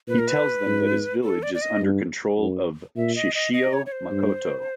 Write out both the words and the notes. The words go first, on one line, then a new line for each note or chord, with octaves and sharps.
He tells them that his village is under control of Shishio Makoto.
A#2 B4
A#4
B4
G#2
A4
D5
D5
D#5
G2
F#2
A#2 E5
D#5
D#5
D#5
C#5
C#5
C5
G2